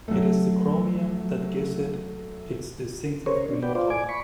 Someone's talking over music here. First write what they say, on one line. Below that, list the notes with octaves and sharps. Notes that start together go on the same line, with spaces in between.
It is the chromium that gives it its distinctive green color.
F#3 A3
C#4 A#4 C5 C#5
D4
F#4 B4 D5 G5
F4 C5 D5
D5 G#5 D6
B5 C#6